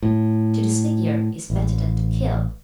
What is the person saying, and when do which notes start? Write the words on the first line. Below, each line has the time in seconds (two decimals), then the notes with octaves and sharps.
To disfigure is better than to kill.
0.02 A2
1.50 A1